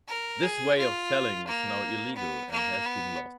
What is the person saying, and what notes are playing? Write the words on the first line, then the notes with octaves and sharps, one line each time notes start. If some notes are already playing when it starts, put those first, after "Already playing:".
This way of selling is now illegal, and has been lost.
A#4
G#4
F4
A#3
B3
A#3
B3